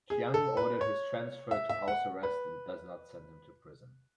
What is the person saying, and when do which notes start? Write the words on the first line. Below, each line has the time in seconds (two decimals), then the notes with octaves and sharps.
Chiang ordered his transfer to house arrest and does not send him to prison.
0.10 G#4
0.34 A4
0.57 B4
0.81 C#5
1.51 E5
1.69 E5
1.88 F#5
2.23 B4